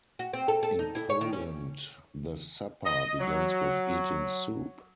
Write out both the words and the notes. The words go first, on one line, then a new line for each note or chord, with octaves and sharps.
In Poland the supper begins with eating soup.
F#4
C4
A4
A4
D#4
E4
C#5
D#3
C#4
D#5
F#3